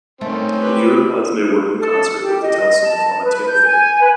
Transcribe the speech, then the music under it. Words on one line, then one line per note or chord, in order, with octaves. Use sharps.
The uropods may work in concert with the telson to form a "tail fan".
D#3 A3 C4 C#4
G4 B4
A4
G4
D#5
A5
B4
G6
G#5
B4